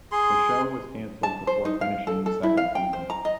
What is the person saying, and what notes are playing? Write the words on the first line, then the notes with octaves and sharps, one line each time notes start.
The show was canceled before finishing the second season.
G#4 C6
A5
C5
D#4
F5
A4
A4
E4
F5
G5
C5
A#5
D#5